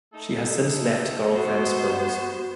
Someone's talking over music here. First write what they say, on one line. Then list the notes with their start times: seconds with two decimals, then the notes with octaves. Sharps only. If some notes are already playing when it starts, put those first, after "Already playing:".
She has since left Girlfriends Films.
0.13 A3 D#4 A4
1.33 B3 F#4 C5